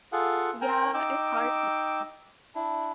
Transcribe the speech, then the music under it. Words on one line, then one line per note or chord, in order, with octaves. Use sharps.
Yeah, it's hard each year
F4 G#4 A4 F#5
A#4 G5 G#5
D#4 G5 D6 E6
D4 E4